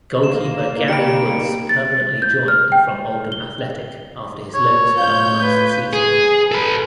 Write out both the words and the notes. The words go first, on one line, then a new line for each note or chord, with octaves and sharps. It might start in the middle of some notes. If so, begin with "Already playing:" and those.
Goalkeeper Gary Woods permanently joined from Oldham Athletic after his loan spell last season.
A#3 E7
G3 D#4 C#7 D7
A6
G6
F6
G5
G7
C#5
A2 F4 G6
B4
G#4
A4 B4